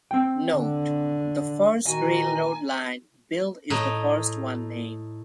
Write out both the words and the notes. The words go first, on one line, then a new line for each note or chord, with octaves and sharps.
Note: The first railroad line built is the first one named.
C4 G5
D3
A#2 D#3 A#3 F#4 G#5 A#5
A2 D#4